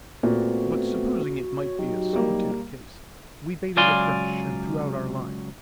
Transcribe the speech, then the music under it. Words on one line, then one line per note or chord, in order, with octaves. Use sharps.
But supposing it might be a solitary case, we baited afresh, and threw out our line.
A#2 A3 B3 C4 F#4
C#5
F#3 D#4 G4
G3 A#3
C#2 F#3 D5 F5 G#5 C6